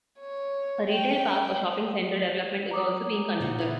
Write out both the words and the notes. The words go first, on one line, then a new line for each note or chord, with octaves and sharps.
A retail park or shopping centre development is also being considered.
C#5
G5
A#5 D6 D#6
A#2 D3 F3 D#4 F#5
E4 B4